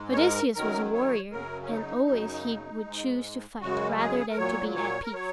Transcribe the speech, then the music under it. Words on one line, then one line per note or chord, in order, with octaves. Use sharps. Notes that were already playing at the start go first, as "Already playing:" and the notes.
Odysseus was a warrior, and always he would choose to fight rather than to be at peace.
Already playing: G#2 G#3
C#5
A#4
F#2 D#3 F#3 A#4
C#5
F#2 C#3 F#3 A#4
C#4
D#4
F#2 C#3 F#3
G#2 G#3
F#2 C#3 G#3 F#4
G#4
A#4
A#2 F#3 C#5
C#5
A#4
F#3 C#5